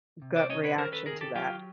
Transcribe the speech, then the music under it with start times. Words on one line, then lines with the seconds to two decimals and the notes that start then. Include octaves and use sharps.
gut reaction to that?
0.22 C3
0.36 C5 D5
0.49 C#4 C#5 D#5
0.64 B4 C#5
0.78 D#3 A#4 C5
0.92 A4 B4
1.06 D#3 G#4 A#4
1.21 G4 A4
1.35 F#3 F4 G4